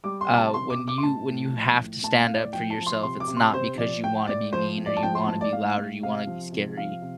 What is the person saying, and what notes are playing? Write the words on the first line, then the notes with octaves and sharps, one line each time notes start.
uh, when you when you have to stand up for yourself, it's not because you wanna be mean or you wanna be loud or you wanna be scary.
G3 D6
C6
C3
A5
C3 C6
D6
C3
D6
C6
A2 A5
A2
F3
A2
A2 A5
F5
A2
D5
F3 G5
A5
F3
C6
C3 C6
D6
C3
C6
C3 C5
F3 D5
A2 G5
A2 D5
F3 C5
A2
D5
A5
F3 G5
C6
A2 A5
D5
A2 F5
A2
C3 F5
F3
C3
F3 F5
C3